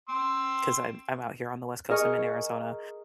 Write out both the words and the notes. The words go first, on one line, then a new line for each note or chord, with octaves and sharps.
'cause I'm I'm out here on the West Coast. I'm in Arizona.
C6 E6
G#4 A#4 D#5 C#6 F6